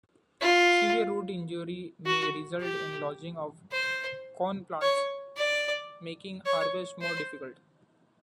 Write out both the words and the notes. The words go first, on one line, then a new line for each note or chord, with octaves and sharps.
Severe root injury may result in lodging of corn plants, making harvest more difficult.
F4
F#4
G4
C5
C#5
D5
C#5
C5